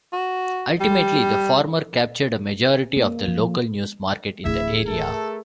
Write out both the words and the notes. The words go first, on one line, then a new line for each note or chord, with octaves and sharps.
Ultimately, the former captured a majority of the local news market in the area.
F#4
G3
A#3
F3
D1 A1 E4 G#4 E5
A3 A4 A#4